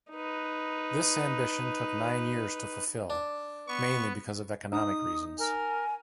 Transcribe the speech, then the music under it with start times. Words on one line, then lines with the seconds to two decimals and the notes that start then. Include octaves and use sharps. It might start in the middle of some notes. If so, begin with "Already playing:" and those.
This ambition took nine years to fulfill, mainly because of economic reasons.
0.11 D#4 B4
3.10 D4
3.68 B3 C#6
4.72 D#4 D#6
5.39 A#4 G#5